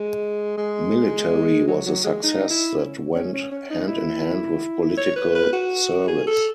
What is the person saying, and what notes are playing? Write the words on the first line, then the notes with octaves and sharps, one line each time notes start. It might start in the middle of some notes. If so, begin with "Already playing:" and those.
Military was a success that went hand in hand with political service.
Already playing: G#3
G#3
F#3
F#3
G#3
D#4
E4
C#4
C#4
C#4
C#4
D#4
E4
C#5
B4
B4
F#4
G#4
A4